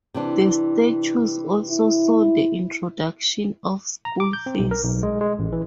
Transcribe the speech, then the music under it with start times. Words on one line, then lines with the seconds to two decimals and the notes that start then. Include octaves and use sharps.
The statues also saw the introduction of school fees.
0.14 C3 E3 D4
1.70 E4
4.05 A#5
4.20 D6
4.33 G6
4.46 C4
4.59 B1
4.71 A#4
4.84 B1
5.03 G#3
5.21 G#3
5.39 A1
5.52 E3